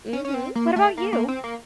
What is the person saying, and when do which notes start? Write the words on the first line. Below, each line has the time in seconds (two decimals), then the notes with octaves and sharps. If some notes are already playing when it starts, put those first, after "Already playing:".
Mhm. What about you?
0.13 C#4
0.25 C#4
0.34 C4
0.55 A#3
0.76 A3
0.98 A#3
1.13 A#3
1.28 C4
1.44 A#3